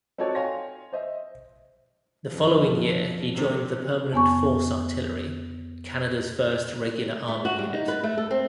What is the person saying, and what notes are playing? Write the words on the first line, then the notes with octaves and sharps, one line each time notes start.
The following year he joined the Permanent Force artillery, Canada's first regular army unit.
C4 D#4 F#4 A4 C#5 D5
C#5 F5 G5 G#5 C6 A#6
C5 D#5 E5
F2
C3
F2 B3 G#5 C#6
A3
F#4
G3
D#4
B4
A3
A4
C4